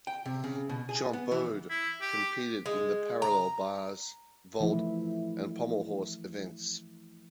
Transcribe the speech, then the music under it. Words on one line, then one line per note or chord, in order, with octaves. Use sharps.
Champaud competed in the parallel bars, vault, and pommel horse events.
G5
C3
C#3
B2
G#4
B3
E3
E4
G4
G#3
A#5
E3 F3 A3 E4